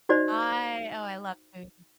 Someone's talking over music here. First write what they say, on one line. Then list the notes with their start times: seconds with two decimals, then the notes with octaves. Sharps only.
I Oh, I love food.
0.09 D#4 F#4 C5 D5 D#5